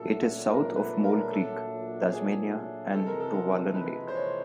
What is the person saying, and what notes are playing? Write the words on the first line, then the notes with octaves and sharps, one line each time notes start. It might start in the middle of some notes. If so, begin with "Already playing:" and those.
It is south of Mole Creek, Tasmania, and Rowallan Lake.
Already playing: A#2 F#3 A3 D4 A4
A#4
B4
A#4
A4
G#4
F2 C3 E3 G#3 A4
A#4
A4
A#4
B4
C5
C#5